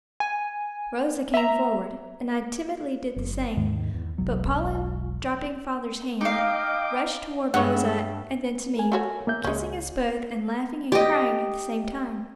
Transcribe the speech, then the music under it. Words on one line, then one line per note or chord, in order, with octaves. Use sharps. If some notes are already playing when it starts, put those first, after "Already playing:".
Rosa came forward, and I timidly did the same; but Paula dropping father's hand, rushed toward Rosa and then to me, kissing us both and laughing and crying at the same time.
G#5
E5 A#5
F#1
D#2 G#2 D#3
E2
E1 B1 F#3
D#4 D#5 F5 G5 D6
G2 G#3 C#5 E5 F#5
A#4 G#5
A3 F#4 C#5
A#3 E5 G6
C#2 G#3 C#4
G4 D#5